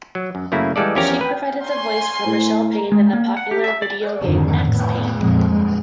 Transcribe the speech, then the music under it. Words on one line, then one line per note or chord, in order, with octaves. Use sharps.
She provided the voice for Michelle Payne in the popular video game "Max Payne".
F#3
F#2
F#2 C#3 A3 A#3 E4
E3 G3 G#3 A4 D5
E2 F3 C#4 G4 A#4 A#5
B4
G#5 C6
A2
G#3
A#3
F#5
G4
E5
D5
F2 G#2 D3 D#3
A2 B3
F2 A#2 G#3
G2 G#3